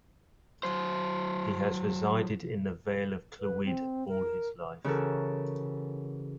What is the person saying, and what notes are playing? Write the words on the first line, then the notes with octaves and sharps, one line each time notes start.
He has resided in the Vale of Clwyd all his life.
F#3 C5
B4
C4
A#4
C#3 E3 F#4 A4 A#4